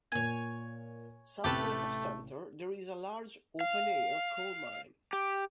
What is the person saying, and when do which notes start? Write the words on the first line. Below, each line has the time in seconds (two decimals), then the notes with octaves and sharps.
Southwest of Center, there is a large open air coal mine.
0.12 A#2 A#3 C#5 G#5
1.44 A1 C3 A3 G4 A4 B4 E7
3.61 F5
5.13 G4